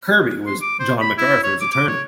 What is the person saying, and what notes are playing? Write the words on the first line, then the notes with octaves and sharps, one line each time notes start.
Kirby was John MacArthur's attorney.
C6
D6
C5
B5
E4
C#5
D6
D6
C#5